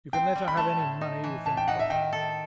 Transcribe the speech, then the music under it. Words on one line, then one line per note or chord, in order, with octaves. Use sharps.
You can let her have any money you think proper.
C4 G5
G3
B5
A3 A5
A2
D#4
E3
A2 A5
G5
D#4 F#5
E5
D#3 G5
A4